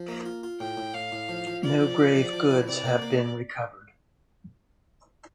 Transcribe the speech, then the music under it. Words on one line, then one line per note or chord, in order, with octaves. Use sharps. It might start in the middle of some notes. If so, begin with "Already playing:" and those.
No grave goods have been recovered.
Already playing: F3
A#3
F4
F4
A2 G5
A2
A2 F5
A2
F3
F3
F4 D5
F3
F3
F3
F3
E4
C3 D5
A#3
A#3